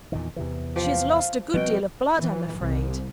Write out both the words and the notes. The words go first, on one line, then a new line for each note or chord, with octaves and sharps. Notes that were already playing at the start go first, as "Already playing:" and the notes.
She has lost a good deal of blood, I'm afraid.'
E2 A#2 D#3
E2 C3 E3
F3 G4 F5
B2 F3 G3 C4 D#5 G5
E3
C2